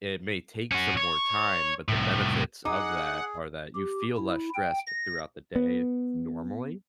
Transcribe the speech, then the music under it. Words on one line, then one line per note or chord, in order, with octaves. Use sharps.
it may take some more time, but the benefits of that, are that, you feel less stressed throughout the day, normally.
C#4 F#4
C#5
C2 A2
D#4 G#4 F#5 D6
G4
E4
G5
A#6
B3